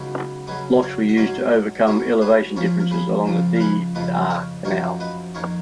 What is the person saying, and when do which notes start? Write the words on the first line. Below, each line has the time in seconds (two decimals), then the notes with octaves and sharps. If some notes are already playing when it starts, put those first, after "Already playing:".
Locks were used to overcome elevation differences along the D and R canal.
Already playing: C#2 C#3 F#3 B3 D#4
0.47 C#3 F#3 C#4 B4 D#5
0.82 C#5 F5
1.09 F#5
1.16 G#2 F#3 C#4 C#5 F5
1.87 B2 A#3 C#4 A#4 C#5
2.21 G#4 B4
2.56 A#2 F3 A#3 C#4 A#4 C#5
2.80 A#4
2.91 G#4 B4
3.26 C#2 C#3 F3
3.56 A#4
3.60 G#4 B4
3.95 F2 C#3 F3 B4 D#5
4.30 A#4 C#5
4.65 F#2 F3 A#3 D#4 A#4 C#5
5.00 B4 D#5
5.34 F2 D#3 A#3 A#4 C#5